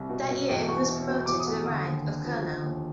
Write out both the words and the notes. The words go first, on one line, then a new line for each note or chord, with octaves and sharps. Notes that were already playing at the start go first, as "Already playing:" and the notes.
That year, he was promoted to the rank of colonel.
Already playing: C2
B2
B2
E2 G5
E2 C#6
B2
B2
E2 D6
D#6
E2
D3 D#6
D#2
D#2
F3
D3
D#2